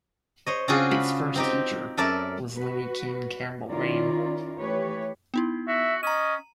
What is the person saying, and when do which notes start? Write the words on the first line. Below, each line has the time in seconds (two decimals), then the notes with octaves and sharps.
Its first teacher was Linnie Keen Campbell Lane.
0.47 C5 C#5 D#5
0.68 C#3 C4 D4 F4 F#4 G#4
0.91 B5
1.35 C4 D#4 G4
1.97 F#2 A4 A#4 D5 E5 A5
2.56 F#4 B4
3.69 D#3 C#4 E4 F4 A#4 D5
4.59 E3 A3 G4 B4 C#5
5.34 B3 D#4 E4
5.68 F#4 E5
6.03 C#4 D#5 A#5 D#7